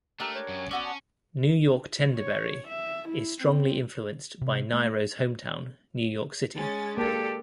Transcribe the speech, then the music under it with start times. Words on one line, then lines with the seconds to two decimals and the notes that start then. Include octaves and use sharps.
"New York Tendaberry" is strongly influenced by Nyro's hometown, New York City.
0.20 A3 D4 G4 A#4 E6
0.34 C#5
0.49 F#2
0.71 B3 C#4 F#4 D5 E6
0.85 A5
2.15 C#5
2.68 E5
3.09 E4
3.42 C4
4.41 C3
4.74 A3
6.56 G#3 C#4 A6
6.98 A#3 D4 G4 A4 A5